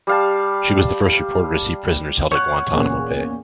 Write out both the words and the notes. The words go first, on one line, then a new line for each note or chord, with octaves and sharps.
She was the first reporter to see prisoners held at Guantanamo Bay.
G3 F5 A5
C#5 F#5 F6 G6
E2 A#2 C#4